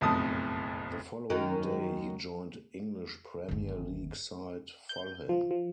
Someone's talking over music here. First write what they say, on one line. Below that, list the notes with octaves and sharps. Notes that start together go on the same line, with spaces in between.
The following day, he joined English Premier League side Fulham.
F#1 B1 F2 A2 A5 D#6
F#2 D#3
G1 D#2
G6
F3
F3